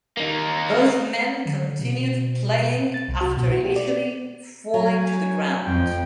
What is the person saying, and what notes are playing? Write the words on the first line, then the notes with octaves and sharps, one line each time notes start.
Both men continued playing after initially falling to the ground.
A#3 D#4
D3
B2
A6
C2
F#4
B2
F#4
G4
D5
F#3 G#5
F2 F3 G5